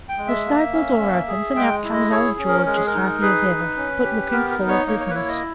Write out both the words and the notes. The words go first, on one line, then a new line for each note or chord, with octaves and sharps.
The stable door opens, and out comes old George as hearty as ever, but looking full of business.
G5
G#3
E5
A#3
C#4
A#3
G#4
G#3 G5
E4
D#5
G#4 C#5
C#4
A#4
G#3 A#4
G#4
A#4
D#4
G#4 B4
D#4
C#4
G4
B3 A#4
A#4
D#4
C#5
A#3 C#5
C#5
B4
E4 C#5
D#5